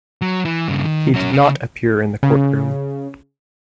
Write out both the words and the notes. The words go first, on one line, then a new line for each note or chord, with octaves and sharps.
He did not appear in the courtroom.
F#3
E3
G2 C#3
D#3
F#3 C#4
C#3
C#3